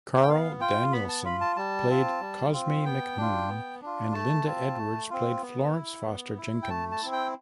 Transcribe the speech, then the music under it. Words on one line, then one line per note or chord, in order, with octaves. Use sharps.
Carl Danielsen played Cosme McMoon and Linda Edwards played Florence Foster Jenkins.
G5
B3 F5
F4 G5
B3 B5
A5
F4 B5
A5
G3 A5
C4 F4
G3
C4 F4
B3 G5
D4 F4
B3
D4 F4
A3 A5
C4 F4
A3
C4 F4
B3
E4
B3
E4
G5
A3 A5
A5
C4 E4
G5